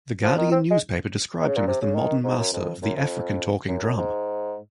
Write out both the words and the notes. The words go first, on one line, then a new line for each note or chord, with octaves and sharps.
The Guardian newspaper described him as the Modern master of the African talking drum.
F3
D#3
C4
G#3
D#3
C#3
A#2
C3
C#3
D#3
G#2
F#2
F2
F#2
F2
F#2
F#2
G#2